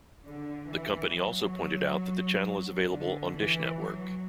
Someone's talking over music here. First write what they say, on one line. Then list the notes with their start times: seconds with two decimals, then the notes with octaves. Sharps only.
The company also pointed out that the channel is available on Dish Network.
0.24 D3
0.69 E3
1.13 F#3
2.89 D3
3.34 E3
3.78 F#3